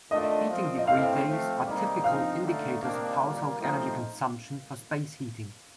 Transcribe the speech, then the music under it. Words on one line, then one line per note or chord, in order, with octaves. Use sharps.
Heating degree days are typical indicators of household energy consumption for space heating.
D#3 A3 D4 F4 D#5
A#2 F3 C4 F4
D#5
A2 A3 C4 F5
F3 A3 C4
C3 G3 A#3 D#4
F3 C4 D#4 F5
D3 A3 D#4
C3 D#3 A#3 D4
A#2 G3 A#3
F3 A3 C4 D#4